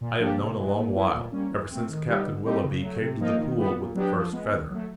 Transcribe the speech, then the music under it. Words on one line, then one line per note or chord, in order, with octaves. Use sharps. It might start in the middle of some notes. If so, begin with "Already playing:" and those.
I have known a long while, ever since Captain Willoughby came to The Pool with the first feather.
A#2
F3 A#3 D4 G4
C3
E3 G#3
A#2
F#3 B3 E4 A4
A#2
G3 A#3 C#4
E3
A3 C4
D#3
G3 B3 D#4 G4
D3
G3 C4 D#4 G4
C#3
F#3 A3
C3
F3 A#3 D#4
D#3
G3 B3
A#2
F#3 B3 D4 G4
F3
G#3 B3
D#3
F#3 A3